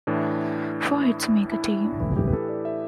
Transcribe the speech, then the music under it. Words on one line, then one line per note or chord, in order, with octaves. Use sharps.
Four hits make a team.
A2 E3 D4
E4
E4
D4
A2 E3 E4
G4
B4
A4
D5
E5